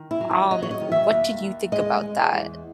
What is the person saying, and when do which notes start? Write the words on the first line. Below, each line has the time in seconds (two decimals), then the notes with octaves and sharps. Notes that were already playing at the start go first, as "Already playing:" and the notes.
um, what did you think about that?
Already playing: D#3
0.11 E4
0.21 F#3
0.31 C#5
0.51 F#3 D#5
0.63 C#5
0.71 D#5
0.81 D#3
0.92 E5
1.12 D#2
1.43 D#2
1.72 G#3 D#5
2.03 G#3
2.33 E2